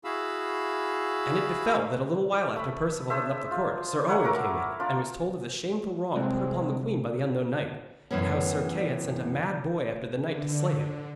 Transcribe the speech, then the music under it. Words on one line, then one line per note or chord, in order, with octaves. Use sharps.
And it befell that a little while after Perceval had left the court, Sir Owen came in, and was told of the shameful wrong put upon the queen by the unknown knight, and how Sir Kay had sent a mad boy after the knight to slay him.
E4 F#4 G#4 F5 B5 E6
A3 B5
D4 G#4 C5 E5
F4
A#3 E4 C#5 F#5
A3 A#4 D6
D4 F4 D5
C2 G#3 C4
F#2 A2 E3 B3 C#4
D3